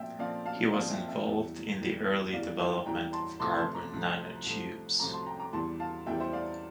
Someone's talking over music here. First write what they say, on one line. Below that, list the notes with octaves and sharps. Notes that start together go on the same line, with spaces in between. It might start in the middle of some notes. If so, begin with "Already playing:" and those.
He was involved in the early development of carbon nanotubes.
Already playing: A#2 F3 C4 D5 E5 G5
A#2 F3 C4 D5 F5
F5 A5
A#2 F3 C4 D5 F5
E5 G5
E5 G5
E2 E3 G3
E2 E3 G3
E2 E3 G3 D5 F5
E5 G5
E2 E3 G3 G5 A#5
A5 C6
C2 C3 F3 A3 C4 A5 C6
A5 C6
A#5 D6
C2 C3 F3 A3 C4
C2 C3 F3 A3 C4
C2 C3 F3 A3 C4 A#5 D6
A5 C6
G5 A#5
A#5 D6
E2 E3 G3 A5 C6
F5 A5
E2 E3 G3 E5 G5
C5 E5
D5 F5